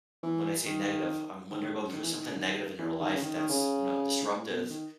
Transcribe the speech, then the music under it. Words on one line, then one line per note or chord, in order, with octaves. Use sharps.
when I say "negative," um, when they're going through something negative in their life that's, you know, disruptive
E3
D#3
D#3
D#3
G#2
F#2
D#3
E3
D#3
C#3
D#3
E3
D#3
C#3
D#3
D#3
C#3
G#2
A2
B2
D#3